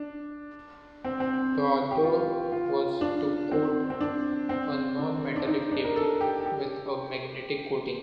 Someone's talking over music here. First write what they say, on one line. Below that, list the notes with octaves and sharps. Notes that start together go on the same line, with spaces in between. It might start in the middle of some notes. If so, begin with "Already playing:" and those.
The other was to coat a non-metallic tape with a magnetic coating.
Already playing: D4
C4
C4
G4
F4
F4
D4
C4
C4
D4
C4
D4
D4
D#4
D4
A#4
A4
G4
G4